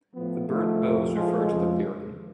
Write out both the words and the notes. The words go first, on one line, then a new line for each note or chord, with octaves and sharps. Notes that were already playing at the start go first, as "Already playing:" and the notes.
The burnt boughs refer to the clearing.
A2 F3 B3
G#2 F3 A3
F2 C3 F3
A2 F3 G#3
F2 C#3 F3